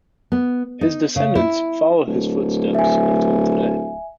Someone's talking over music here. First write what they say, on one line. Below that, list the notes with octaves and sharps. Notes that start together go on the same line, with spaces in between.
His descendants follow his footsteps until today.
B3
D#4
C#3
E4
D1
E5 G#5